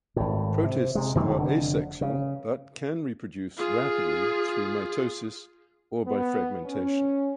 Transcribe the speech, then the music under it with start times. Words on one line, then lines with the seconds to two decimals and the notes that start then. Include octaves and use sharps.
Protists are asexual but can reproduce rapidly through mitosis or by fragmentation.
0.16 G#1 A2
0.63 C3
0.95 C3 G#3
1.15 F#2 D#3 F3 A#3
1.29 F1 D3
2.01 C#3
3.58 F4 G#4
6.06 B3
6.63 C#4